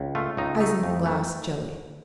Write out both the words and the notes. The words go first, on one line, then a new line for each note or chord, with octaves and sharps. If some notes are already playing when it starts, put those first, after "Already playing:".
Isinglass Jelly.
Already playing: C#2
A3 F4
C#2 D#4
A3 D#4
F2
A3